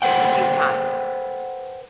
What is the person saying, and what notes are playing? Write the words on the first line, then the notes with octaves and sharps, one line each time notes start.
A few times.
A4 B4 C5 F#5 G5